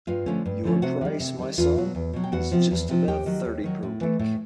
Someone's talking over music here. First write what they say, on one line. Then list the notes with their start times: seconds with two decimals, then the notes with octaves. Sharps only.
Your price, my son, is just about thirty per week.
0.07 G2 F4 F5
0.26 D3 F3 A3 C#4
0.45 G2
0.64 D3 F3 A3 C#4
0.82 C3 F#4 F#5
1.01 D#3 G3
1.20 C3
1.39 D#3 G3
1.58 E2 F4 F5
1.76 B2 F#3
1.95 E2
2.13 B2 F#3
2.24 G5
2.32 E2 F#4 F#5
2.52 C3 F3
2.71 E2
2.89 C3 F3
3.08 D#2 G4 G5
3.26 D#3 F#3
3.45 D#2
3.64 D#3 F#3
3.83 A2
4.01 E3 A3
4.19 A2